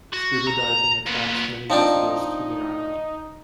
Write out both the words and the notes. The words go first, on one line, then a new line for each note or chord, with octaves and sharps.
Scuba diving attracts many visitors to the island.
F#4
A#5
A#2 B3
F3 C4 D4 D#4